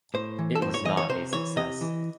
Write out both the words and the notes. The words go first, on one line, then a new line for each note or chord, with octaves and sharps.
It was not a success.
A2 C5
E3
A4
A2 C5
C#5
E3 D#5
C#5
C3 C5
E3 C#5
C3 D#5
E3